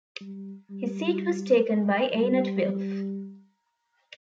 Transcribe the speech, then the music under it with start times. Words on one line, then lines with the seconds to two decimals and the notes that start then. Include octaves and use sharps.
His seat was taken by Einat Wilf.
0.21 G3
0.70 G3
2.16 G3